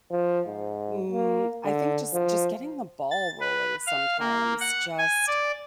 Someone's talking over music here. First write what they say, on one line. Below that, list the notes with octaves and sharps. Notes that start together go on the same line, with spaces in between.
mm, I think, just just getting the ball rolling sometimes, just
F3
G#2
A#3
D3
F3
A6
B4
F5
A#3
F#5
G#5
D5